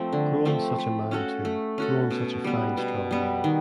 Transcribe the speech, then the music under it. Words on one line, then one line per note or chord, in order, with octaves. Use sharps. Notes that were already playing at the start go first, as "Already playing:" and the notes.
Grown such a man too, grown such a fine strong man.
Already playing: F3 A3 C4
D3
F3 A3 C4
A3
C#4 F#4 A4
A3
C#4 F#4 A4
B2
G3 B3
B2
G3 B3
D#3